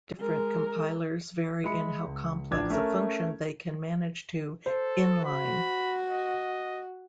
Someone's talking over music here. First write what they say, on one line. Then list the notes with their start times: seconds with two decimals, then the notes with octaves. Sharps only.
Different compilers vary in how complex a function they can manage to inline.
0.19 G#3 A#4
1.64 G#3 E5 B5 C#7
2.05 C#2
2.51 A1 F3 D4 D6 G#6
2.70 A3 C#4 A4 A#4
4.66 A4 C5
5.25 F#4 B5
6.11 D#5